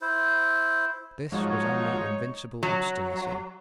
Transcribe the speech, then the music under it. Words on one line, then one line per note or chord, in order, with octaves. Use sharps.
This was only invincible obstinacy.
E4 C5
G#2 F3 F#3 D#4 C#5
F#3